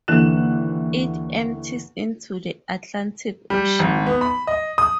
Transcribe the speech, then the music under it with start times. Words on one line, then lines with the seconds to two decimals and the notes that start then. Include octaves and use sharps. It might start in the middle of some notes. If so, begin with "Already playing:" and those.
It empties into the Atlantic Ocean.
0.08 D#2 D3 E3 F#6 E7
3.50 G3
3.79 G#1
4.07 B3
4.21 B5
4.47 D#5
4.78 D#6